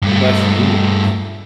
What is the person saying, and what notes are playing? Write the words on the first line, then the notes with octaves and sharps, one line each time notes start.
less meals,
G2 A3